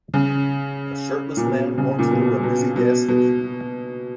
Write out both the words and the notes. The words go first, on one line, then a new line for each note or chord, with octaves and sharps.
A shirtless man walks through a busy gas station.
C#3
A#2
B2
C#3
A#2
B2
B2
B2
B2